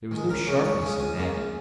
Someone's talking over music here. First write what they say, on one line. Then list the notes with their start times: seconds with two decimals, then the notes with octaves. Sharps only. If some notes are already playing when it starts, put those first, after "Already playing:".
There was no sharpness in that.
0.11 D#3 G#3
0.29 C#2 A#4
0.47 C#3 G#3 C#4
0.64 C#2 C#5
0.81 C#3 G#3 C#4
0.99 C#2 G#5
1.17 C#3 A#3
1.34 C#2